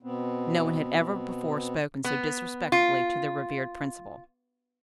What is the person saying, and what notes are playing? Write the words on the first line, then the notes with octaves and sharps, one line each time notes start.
No one had ever before spoken so disrespectfully to their revered principal.
B2 B3 C4
B3
F4